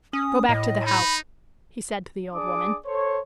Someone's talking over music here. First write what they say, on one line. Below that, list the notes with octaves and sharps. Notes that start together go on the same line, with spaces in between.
"Go back to the house," he said to the old woman.
C#4 D#6
A2 D#5
D#4 B5
D4 G#4 D5 D6 D#6
A4 C5 C#5